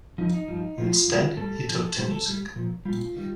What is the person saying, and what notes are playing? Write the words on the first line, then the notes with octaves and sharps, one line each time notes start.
Instead, he took to music.
F2 D3 F3 D#4
D#4
G2 F3
A#2 F3 F4
F2 D3 G3
A2 G3 A4
A2 F3
A#2 G3 C5
A4
A2 G3
A#2 F3
A#2 G3 F4
D#3 G3